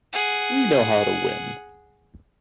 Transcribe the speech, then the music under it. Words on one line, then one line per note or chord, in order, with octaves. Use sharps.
We know how to win.
G#4 F#5